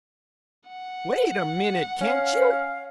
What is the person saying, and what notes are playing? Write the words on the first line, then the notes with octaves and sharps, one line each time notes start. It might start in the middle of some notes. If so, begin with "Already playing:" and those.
"Wait a MINUTE, can't you?"
F#5
C#4 F5